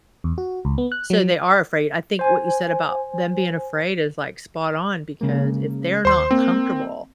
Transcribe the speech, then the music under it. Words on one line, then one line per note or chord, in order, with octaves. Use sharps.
so they are afraid, I think what you said about them being afraid is, like, spot on because if they're not comfortable
E2
F#4
C#2
B3
F#6
F#3
C5 G#5
C#3 G#3 A#3
D#2 C5 C6
A#3 C4